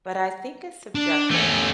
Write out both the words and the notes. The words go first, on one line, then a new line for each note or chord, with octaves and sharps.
but I think it's subjective,
D4
E2 A3 C#4 G4